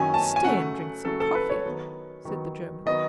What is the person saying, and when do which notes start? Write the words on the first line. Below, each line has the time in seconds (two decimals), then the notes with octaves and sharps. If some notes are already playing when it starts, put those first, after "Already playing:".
"Stay and drink some coffee," said the German.
Already playing: F#2 D#3 F#3 C#4 G#5
0.14 A5
0.36 G#5
0.44 C#3 F#3 A3 F#5
1.05 C#3 F#3 A3 A4
1.20 A4
1.35 B4
1.50 C#5
1.65 D#3 F#3 B3
2.25 D#3 F#3 B3
2.86 D#3 F#3 B3 D#5